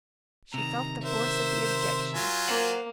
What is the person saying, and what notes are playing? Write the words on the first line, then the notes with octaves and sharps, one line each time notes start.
She felt the force of the objections.
C3 D#3 A#5
A#4 C5 E5
F#3 F4 G#5
A#3 C5 F#5